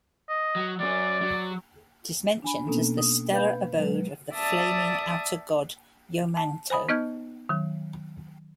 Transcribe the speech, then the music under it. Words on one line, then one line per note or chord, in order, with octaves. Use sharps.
It is mentioned as the stellar abode of the flaming Outer God Yomagn'tho.
D#5
F#3
F#3 C#4 D5
F#3
D4 G#5 B5
B2 A#3 B3 C#4 D4 A4
D#6
B4 F5 B5 G6
F#3 G#3 B4
D5 E5 A5 D#6
A5
C5 G#5 B5 D#6
B3 D#4 D#5 F6 G6 G#6
D#3 F#3